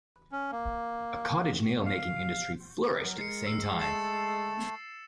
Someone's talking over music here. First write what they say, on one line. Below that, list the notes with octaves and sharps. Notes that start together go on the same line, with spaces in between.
A cottage nail making industry flourished at the same time.
C#4
A#3
F5
F#3 A#4
G#3 C7 C#7
E6 C7
A3 A6 C7 E7